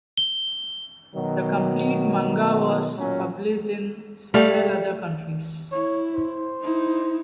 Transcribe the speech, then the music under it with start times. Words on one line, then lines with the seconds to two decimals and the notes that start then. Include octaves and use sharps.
The complete manga was published in several other countries.
0.17 G7
1.15 B2 D#3 F#3
2.98 A#2 F#3 C#4
4.34 G3 A3 D5 F5
5.72 E4 C#5
6.14 C5
6.61 D#4 E4